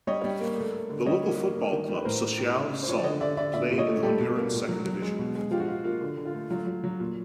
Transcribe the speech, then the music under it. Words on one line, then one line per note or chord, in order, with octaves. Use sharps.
The local football club, Social Sol, play in the Honduran second division.
G3 C#5 D#5
G3
A#3
A3
A3
D3
G3 C#5 D#5
A#3
A#3
A#3
D#3
G3
B4
A2 A#4 C5
A2
A2
C#3
C#3
C5
F3 C#5
D5
D3 C#5 D#5
D3 D5 E5
D3 D5 E5
A#2 D5 E5
A#2
C#5 D#5
A3
G3 G4 A4
B2
A#3
A#2
F#3
F#3
G#3
B2
G#3
F3 F4 G4
F#4
F3 F4
A#3 F4
D3
D3
F4
A3
F#3 F4
F#3
F#3
A#2